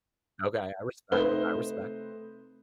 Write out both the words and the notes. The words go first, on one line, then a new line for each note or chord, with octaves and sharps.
okay. I respect, I respect.
C3 A3 D#4 B4 C5 G7